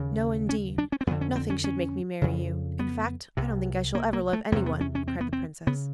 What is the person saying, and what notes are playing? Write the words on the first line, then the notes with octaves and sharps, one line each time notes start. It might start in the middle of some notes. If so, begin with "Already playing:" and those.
'No, indeed; nothing should make me marry you; in fact, I don't think I shall ever love anyone,' cried the Princess.
Already playing: D#2 C#3
C#4
D4
C#4
C4
F2 D3 B3
C#4
C4
C#4
C#4
F2 C#3
B3
C2 C3
A#3
A#3
A3
E2 C3 A#3
B3
C#4
C#4
C4
B3
C4
C#3 B3